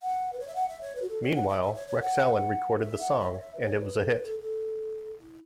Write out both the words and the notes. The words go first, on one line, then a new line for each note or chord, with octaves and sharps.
Meanwhile, Rex Allen recorded the song, and it was a hit.
F#5
B4
C#5
E5
F#5
E5
C#5
B4
F#4
A4
C#5
F#5
E5
E5
C#5
C#5
F#5
E5
F#5
E5
C#5
E5
B4
C#5
B4
A4
B4
A4
A4
E4